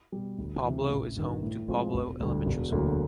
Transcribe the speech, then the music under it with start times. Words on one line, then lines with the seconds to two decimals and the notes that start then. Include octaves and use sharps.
Pablo is home to Pablo Elementary School.
0.12 B2 G3
0.38 D2
0.64 C3 E3
0.90 A1
1.16 G2 D#3
1.42 A2
1.68 F3 G#3 C4 F4
1.94 E1
2.20 D2 D3 G3
2.46 E1
2.72 D2 D3 F#3 A#3